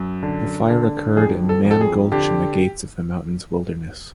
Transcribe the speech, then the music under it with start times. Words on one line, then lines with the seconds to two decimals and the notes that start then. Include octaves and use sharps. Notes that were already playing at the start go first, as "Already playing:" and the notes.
The fire occurred in Mann Gulch in the Gates of the Mountains Wilderness.
Already playing: F#2
0.23 D3
0.70 D3
1.17 F2 G#4
1.49 A4
1.65 F2
1.71 A4
1.81 G#4
2.12 D3 G4